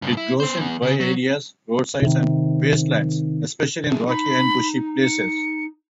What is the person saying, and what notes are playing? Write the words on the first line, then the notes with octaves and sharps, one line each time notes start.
It grows in dry areas, roadsides and wastelands, especially in rocky and bushy places.
G2 C#3
E4
B3 C5
E3 B3
C#3
F#3
C3 D#3
F#3 G#4 E5
D#4 B5
C#7